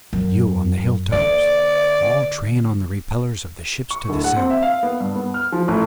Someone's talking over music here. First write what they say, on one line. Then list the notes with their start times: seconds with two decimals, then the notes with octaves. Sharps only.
You, on the hilltops, all train on the repellors of the ships to the south.
0.13 F#2
1.13 D3 A#3 D5
3.91 C#6
4.09 D1
4.24 F#5
4.37 C4
4.50 E5
4.63 F5
4.83 B3
5.00 G2
5.15 B3
5.34 F6
5.52 F3
5.68 A1